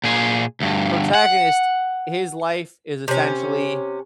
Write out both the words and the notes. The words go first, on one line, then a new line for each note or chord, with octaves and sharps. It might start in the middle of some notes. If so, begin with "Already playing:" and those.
protagonist, his life is essentially
A#2 G#4
D2 G2
F#5
C3 C#4